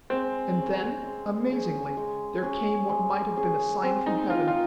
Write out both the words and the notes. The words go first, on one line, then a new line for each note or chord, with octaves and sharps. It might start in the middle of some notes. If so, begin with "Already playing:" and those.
And then, amazingly, there came what might have been a sign from heaven.
G#3 C4
C#4 G#4
G#3
C#4 G#4
G#3
C#4 G#4
G#3
C#4 G#4
C4
D#4
F4 G4 A#4 F5
F4